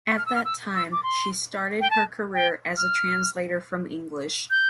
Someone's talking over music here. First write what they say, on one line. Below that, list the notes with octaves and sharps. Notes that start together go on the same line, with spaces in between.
At that time, she started her career as a translator from English.
F6
E6
F6
E6
E6
D6
C6
G5
A5
G5
F6
G6